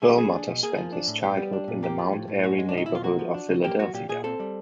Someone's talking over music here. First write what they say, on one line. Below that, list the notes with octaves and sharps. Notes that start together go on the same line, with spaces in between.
Perlmutter spent his childhood in the Mount Airy neighborhood of Philadelphia.
A3 G#4
G4
F#3 G#4
D4
B2
A#3 G#4
F3
D4
A2
B3 G4
G3
D4
A#2
A#3 G4
F3
A2
A2
C#4 F#4
G#3
D4
B2 D#4
B2 E4
F4
A#3 F#4
F3
D4
C#3
A#3 G4
F#3 F#4
A#2 G4
A#2 G#4
C4 A4
G3